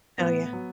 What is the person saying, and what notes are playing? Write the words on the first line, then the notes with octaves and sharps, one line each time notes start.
Oh, yeah.
A2 B3
F#3